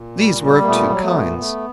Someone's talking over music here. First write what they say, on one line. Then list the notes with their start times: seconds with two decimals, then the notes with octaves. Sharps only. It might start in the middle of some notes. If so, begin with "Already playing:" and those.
These were of two kinds.
Already playing: A#2
0.17 G3
0.41 G3
0.60 A#3
0.65 A#2 A3 B3
0.90 F#3
1.02 A3 B3
1.14 A#2
1.38 A3